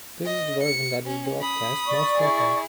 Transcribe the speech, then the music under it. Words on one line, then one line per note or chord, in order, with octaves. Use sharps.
This is the version that is broadcast most often.
D#5
C#7
C#4
B5 D#6
D5 C#6
E4 G#4